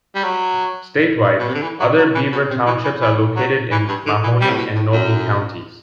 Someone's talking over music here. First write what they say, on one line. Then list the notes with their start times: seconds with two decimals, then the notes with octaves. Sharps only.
Statewide, other Beaver Townships are located in Mahoning and Noble counties.
0.15 G3
0.24 F#3
1.39 B2
1.47 C3
1.55 D3
1.63 E3
1.80 F#3
1.98 F#3
2.15 E3
2.32 B2
2.50 C3
2.67 E3
2.84 E3
3.01 E3
3.36 F#3
3.71 E3
3.89 G2
4.06 D3
4.23 E3
4.41 G3
4.50 A2
4.58 B2
4.76 A2
4.93 F#2